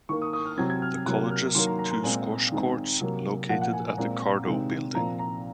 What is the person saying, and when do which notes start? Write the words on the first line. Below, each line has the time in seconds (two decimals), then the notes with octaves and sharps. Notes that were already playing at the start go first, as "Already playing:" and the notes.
The college's two squash courts, located at the Cardo Building.
0.09 D#3 A#3 C#6
0.22 D#6
0.33 D#6
0.45 F6
0.58 C3 F#3 C4 G#6
0.70 G#6
0.82 F6
1.06 C3 F#3 A#3 F#6
1.31 F6
1.55 D#3 F#3 A#3 C6
1.67 A#5
1.79 A#5
1.91 A#5
2.03 A#2 G#3 C4 G#5
2.52 D#3 G#3 C4
3.01 C3 F#3 A#3
3.49 A#2 F3 A#3 F#5
3.61 F#5
3.73 G#5
3.85 G#5
3.98 A#2 G#3 C4 A#5
4.47 C3 D#3 G#3 C4
4.95 A#2 F3 C4 A#5
5.19 A#5